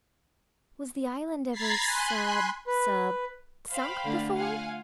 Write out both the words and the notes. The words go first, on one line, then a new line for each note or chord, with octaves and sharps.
"Was the island ever sub-sub-sunk before?"
A#5 B5 G#6 A6 B6 C7
G#5 B5 C6 F#6
B4
C5 F5 G5 B5
D3 A3 D4
F4 F5 F#5 G#5